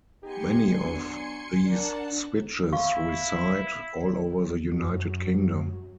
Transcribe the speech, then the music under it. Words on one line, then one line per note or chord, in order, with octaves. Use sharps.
Many of these switches reside all over the United Kingdom.
B3 D#4 G4 G#5 C6 C#7
F#3 B3 D4
D4 A#4 D5 F#5 A5
E4 F5 C#6
F#2